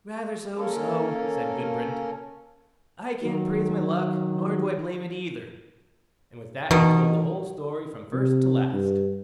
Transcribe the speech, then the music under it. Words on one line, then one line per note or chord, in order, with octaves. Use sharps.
'Rather so so', said Gudbrand, 'I can't praise my luck, nor do I blame it either', and with that he told the whole story from first to last.
A#3 C#4 A4
D#3 F#3
B2 D#3 E3
C3
G2